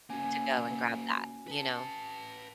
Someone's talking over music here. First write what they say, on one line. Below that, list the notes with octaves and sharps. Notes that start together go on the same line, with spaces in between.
To go and grab that, you know?
A#3 C#4 F#4 G#5
B4 A5